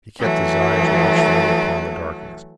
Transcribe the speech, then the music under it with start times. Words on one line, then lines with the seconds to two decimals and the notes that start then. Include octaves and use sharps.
He kept his eyes watchfully upon the darkness.
0.20 E3 F#3 A3